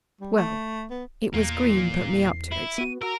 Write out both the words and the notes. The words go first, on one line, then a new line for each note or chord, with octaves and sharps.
Well;--it was Green put me up to it.
G3
A3
B3
E2 A#2 A#3 C7
E4
B3 F#4 D#7
F#4 A#4 A#5 E6